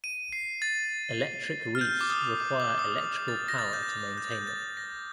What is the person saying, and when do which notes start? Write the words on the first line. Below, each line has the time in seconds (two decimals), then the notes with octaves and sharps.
Electric reefs require electrical power to maintain them.
0.04 D#7
0.33 C7
0.62 A6
1.75 F6
1.81 G6
2.01 D6
2.10 D#6
2.40 D6
2.60 D6
2.79 D#6
2.98 D6
3.28 A6
3.48 A#6
3.58 A6
3.73 G6
3.83 A#6
3.88 A6
4.18 G6
4.24 A6
4.32 G6
4.47 A6
4.77 A#6